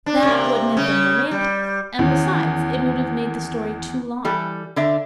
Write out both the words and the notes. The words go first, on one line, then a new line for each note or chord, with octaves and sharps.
"That wouldn't have been romantic, and, besides, it would have made the story too long."
D4
C3 A#3
C#3 C#4
G3
E2 D#3 C#4
E3 G3 A4
D3 D4 E5